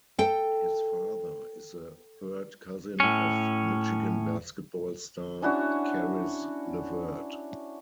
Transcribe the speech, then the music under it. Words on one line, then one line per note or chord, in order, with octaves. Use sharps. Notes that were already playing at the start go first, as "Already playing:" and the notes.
His father is the third cousin of Michigan basketball star, Caris LeVert.
A4 G5
A2 C#4
C#4 D4 E4 F#4